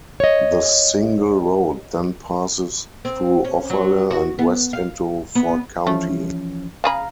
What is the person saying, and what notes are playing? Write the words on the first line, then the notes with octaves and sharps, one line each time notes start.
The single road then passes through Offerle and west into Ford County.
C#5 D#5
C4
C#4
F#3
F#4
B3
F5
B3
E3 F3 A3 C#4
C#3 G#4 F5 A#5 B5